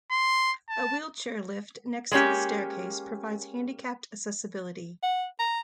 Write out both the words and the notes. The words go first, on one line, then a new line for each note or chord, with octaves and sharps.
A wheelchair lift next to the staircase provides handicapped accessibility.
C6
A5
G#3 A#3 C#4 G4
F#5
A#5